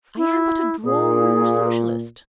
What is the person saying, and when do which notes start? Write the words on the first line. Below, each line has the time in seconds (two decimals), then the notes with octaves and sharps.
I am but a drawing-room Socialist.
0.17 E4
0.85 A#2 G#4